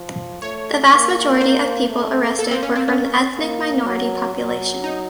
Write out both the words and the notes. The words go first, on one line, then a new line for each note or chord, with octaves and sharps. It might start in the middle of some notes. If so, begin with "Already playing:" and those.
The vast majority of people arrested were from the ethnic minority population.
Already playing: F3
A3 C#5
A#3
A#3 C5
A3
A#3 A4
C4
C#4
C4
C#4
A#3
F#3
F#3
D#4